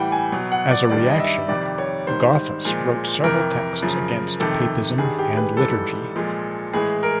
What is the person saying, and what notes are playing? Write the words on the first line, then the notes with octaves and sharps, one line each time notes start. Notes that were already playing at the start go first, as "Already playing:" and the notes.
As a reaction, Gothus wrote several texts against papism and liturgy.
Already playing: A2 E3 G3 F#5 G5
G#5
B2 F#3
F#5
D5
G2 D#3 G3 D5
D#5
E5
F2 C3 D#3 G3 D5
C#5
G#2 D#3 G3 C5
A#2 F3 G#3
F2 C3 E3 A#4
F#2 C#3 F3
F2 C3 D#3 A4
G2 D#3 G3 G#4
G4
B4
G#2 E3 G3 A4
A#2 F3 G#3
A2 E3 G#3 G#4
A#4